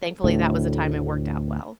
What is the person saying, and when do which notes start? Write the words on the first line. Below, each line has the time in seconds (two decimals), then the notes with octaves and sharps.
thankfully, that was the time it worked out well.
0.24 D2 A2